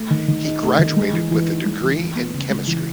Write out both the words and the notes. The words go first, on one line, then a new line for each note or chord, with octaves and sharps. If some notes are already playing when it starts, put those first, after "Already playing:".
He graduated with a degree in chemistry.
Already playing: A3
D#3
D#3
D#4
A3
D#3
G#3
E3
E3
D#4
G#3
E3
E3
B3
C#3
G#3
E3